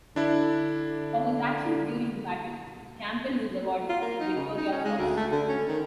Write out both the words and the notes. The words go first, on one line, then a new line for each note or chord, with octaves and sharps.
For his actions during the battle, Campbell was awarded the Victoria Cross.
D3 D4 E4
F4
A#3
D#4
C#3
D#4
C#4
G#3
D2
A3
D3
C#4
D#3